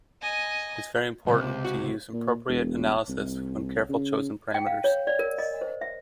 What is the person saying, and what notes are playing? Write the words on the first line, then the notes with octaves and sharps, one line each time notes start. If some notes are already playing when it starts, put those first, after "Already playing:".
It is very important to use appropriate analyses with carefully chosen parameters.
D#5 G#5
C#2 C3
F#4
A#2
E1
C2
C#3
G5
F5
C#5
D5
A#4
D#5
C5
E5